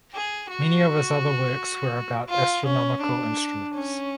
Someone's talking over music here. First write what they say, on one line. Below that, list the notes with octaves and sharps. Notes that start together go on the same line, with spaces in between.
Many of his other works were about astronomical instruments.
G#4
F#4
F4
C#4
D4
C#4